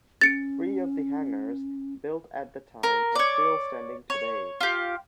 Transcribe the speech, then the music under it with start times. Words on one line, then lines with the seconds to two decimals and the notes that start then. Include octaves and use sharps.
Three of the hangars built at the time are still standing today.
0.21 C#4 A6 C#7 D7
2.83 A#4
3.15 C#5 D5
4.10 C#5
4.61 F4 G4